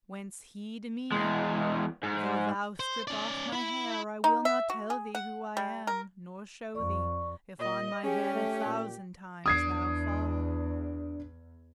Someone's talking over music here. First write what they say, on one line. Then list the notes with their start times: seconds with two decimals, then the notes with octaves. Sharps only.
Whence he to me: "Though thou strip off my hair, I will not tell thee who I am, nor show thee, If on my head a thousand times thou fall."
1.12 E2 G#3
2.03 G#2
2.80 C5
3.08 C#4 D5
3.53 E4 B5
4.24 D#4
4.45 E5
4.70 F#4
4.90 G#4
5.15 F#5
5.57 G3
5.87 A#4
6.75 F2 D5 C#6
7.60 A#2 D#5
8.04 C#4 G4 G#4
8.34 A3
8.65 A#2
9.46 E2 D4 D#6 G#6 C7